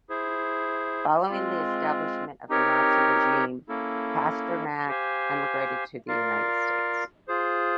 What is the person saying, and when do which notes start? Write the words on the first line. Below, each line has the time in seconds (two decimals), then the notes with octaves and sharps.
Following the establishment of the Nazi regime, Pasternak emigrated to the United States.
0.09 E4 G#4 C5
1.29 G#3 C4 F4
2.49 C4 D#4 G4 A#4 C#5
3.69 A#3 C#4 E4 A4
4.88 G4 C5 F5 G#5
6.08 F4 A#4 D5 F5
7.28 F4 G#4 C5